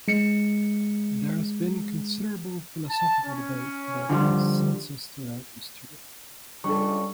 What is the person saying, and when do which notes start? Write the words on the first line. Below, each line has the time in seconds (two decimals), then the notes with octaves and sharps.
There has been considerable philosophical debate about these senses throughout history.
0.08 G#3 C#7
2.90 A5
3.25 C#4
4.09 D3 F3 G3
6.64 C#2 G3 D4 A4 C#6